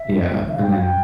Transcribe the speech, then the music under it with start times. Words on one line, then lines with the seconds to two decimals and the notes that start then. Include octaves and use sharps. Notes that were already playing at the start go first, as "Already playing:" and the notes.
yeah. And then
Already playing: E5
0.49 E5
0.54 F5
0.63 G5
0.72 F5
0.80 G5